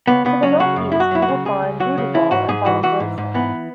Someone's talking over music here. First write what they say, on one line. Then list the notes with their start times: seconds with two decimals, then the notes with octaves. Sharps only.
To the north east you will find Roodewal and Vallombrosa.
0.07 C#2 B3
0.25 C#2 B3
0.43 F#3 C#4
0.60 C#3 F#4
0.76 F#2
0.92 E4
0.95 F#2
1.00 F#4
1.11 F#3 E4
1.22 F#4
1.29 C#3
1.45 C#2 G#4
1.62 C#2
1.80 F#3 F#4
1.98 C#3
2.14 E3 E4
2.31 G#2 F#4
2.48 G#2 G#4
2.66 E3 F#4
2.83 E3 F#4
3.00 G#2
3.18 G#2
3.34 E3 B3